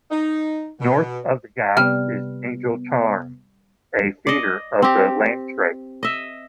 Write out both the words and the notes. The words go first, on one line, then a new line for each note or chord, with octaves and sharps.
North of the gap is Angle Tarn, a feeder of the Langstrath.
D#4
B2
C3 G3 B3 F6
D5 D#5
C4 G4
D#5 E5